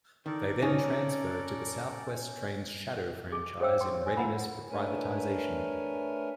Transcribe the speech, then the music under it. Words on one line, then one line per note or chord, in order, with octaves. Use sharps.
They then transferred to the South West Trains shadow franchise in readiness for privatisation.
D#3 A4 A#4 D5
C#4 D#4
G#4
G#4 C5 C#5 F5 G5 E6
G5 C6 C#6
C#5 G#5
E4 A#4 F5 F#5 A#5 B5
A3 D4 A#4 B4 C#5 G#5